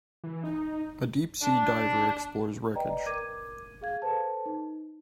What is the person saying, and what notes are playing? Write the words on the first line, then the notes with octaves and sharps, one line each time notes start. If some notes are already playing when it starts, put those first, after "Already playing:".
A deep sea diver explores wreckage.
E3
D#4
D4
B4 D5 D#5 G5 A#5
A#4 D6 G#6 D#7
G#4 F5 G#6
A4 B4 C5 A5
D#4